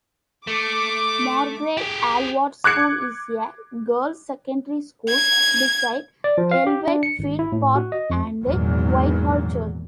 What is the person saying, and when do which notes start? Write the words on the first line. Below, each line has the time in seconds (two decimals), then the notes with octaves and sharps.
Margret Aylward School is a girls secondary school beside ellenfield park and Whitehall church.
0.47 A3 D6
1.77 G4 G#4
2.64 D6 F#6 G#6 C#7
5.09 G#6
6.24 D5
6.38 F3
6.51 F5
6.67 G4
6.87 D4
7.03 C#7
7.19 G#1
7.39 E4
7.52 A2
7.75 F#4
7.92 D#5
8.10 F2
8.44 G#1 E2 A#2 F#3